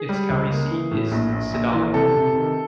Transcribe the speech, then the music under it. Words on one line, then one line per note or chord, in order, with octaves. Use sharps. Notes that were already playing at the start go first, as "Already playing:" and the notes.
Its county seat is Sedalia.
Already playing: G#4
G3
C#2
A#3
E3
A2
A#1
A#1
A#1
E3
C3 A4
C3
D#3